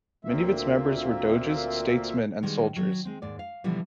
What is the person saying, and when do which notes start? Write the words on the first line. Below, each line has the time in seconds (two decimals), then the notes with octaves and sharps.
Many of its members were doges, statesmen, and soldiers.
0.25 D2 A#2 A#3 C4 F4 E5
2.43 D#3 G3 G#3 B3
2.76 F#3
3.05 G#3 C4
3.22 D#2 G#2 D5
3.39 F5
3.64 B2 D3 E3 F3 G3